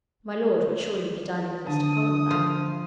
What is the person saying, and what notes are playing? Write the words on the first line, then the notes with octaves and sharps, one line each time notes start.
My lord would surely be dining with Mr. Columbell.
D3 A5 D#6
F3 C5 F5